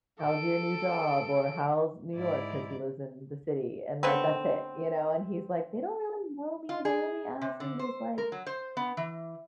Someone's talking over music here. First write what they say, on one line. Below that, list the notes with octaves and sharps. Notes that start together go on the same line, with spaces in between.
"How's your new job?" or "How's New York?" 'cause he lives in the city and like that's it, you know, and he's like, "They don't really know me, they only ask me these like
A4 D7
G#2 E4 D5
D3 A3 B3 C4
F4
G#4
C3
D3
C5
A#4
F#3
C5
B3
E3